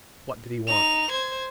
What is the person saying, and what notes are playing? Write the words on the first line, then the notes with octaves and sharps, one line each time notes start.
What did he want?
D#4 F7
C5 G#6